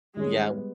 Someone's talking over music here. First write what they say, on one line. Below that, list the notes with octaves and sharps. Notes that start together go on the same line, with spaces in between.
Yeah, wh
D#3 G3 G#3 C#4 G#4 C#5
G3 B3 G4 B4